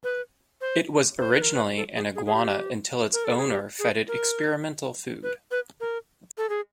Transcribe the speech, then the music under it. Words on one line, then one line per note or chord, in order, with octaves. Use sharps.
It was originally an iguana until its owner fed it experimental food.
B4
C5
C5
B4
A#4
B4
A4
G#4
G#4
G#4
G4
A#4
A4
G#4
G4
G#4
A#4
B4
B4
A#4
A4
G#4